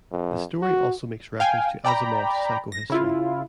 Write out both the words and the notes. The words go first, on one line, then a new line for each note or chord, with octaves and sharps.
The story also makes reference to Asimov's psychohistory.
F2
F#4
F5 G5 G#5
D5 G5 A#5 B5
A#6
C#3 E4 F4